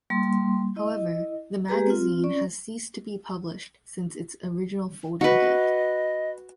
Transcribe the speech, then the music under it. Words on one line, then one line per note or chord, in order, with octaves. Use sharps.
However, the magazine has ceased to be published since its original folding date.
G3 A#3 C6
E4 D#5
G#3 G4 G#4 B4 A#5
C4 F4
C#4 D5
F#4 B4 D#5